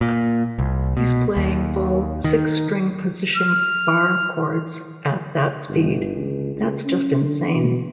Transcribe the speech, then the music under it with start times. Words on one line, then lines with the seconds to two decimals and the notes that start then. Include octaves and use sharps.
He's playing full, six-string-position barre chords at that speed-- that's just insane.
0.01 A#2
0.59 C2
0.97 B2
1.37 D#2
2.24 D#3
3.36 F6
5.68 G1
6.16 C#2
6.55 C#2
6.85 C#4
7.24 D3
7.55 B2